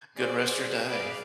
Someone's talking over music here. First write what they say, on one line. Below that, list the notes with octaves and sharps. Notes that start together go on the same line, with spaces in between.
good rest of your day.
G#4 C5 D5
B4 D5 F5